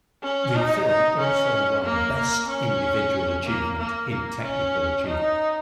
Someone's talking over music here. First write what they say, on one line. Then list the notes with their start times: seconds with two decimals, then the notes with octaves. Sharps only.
The film also won "Best Individual Achievement" in technical achievement.
0.23 C#4
0.55 D#4
0.88 D#4
1.20 C#4
1.85 A#3
2.17 A#3
2.49 C#4
3.46 A#3
3.78 A#3
4.10 A#3
4.42 C#4
5.06 D#4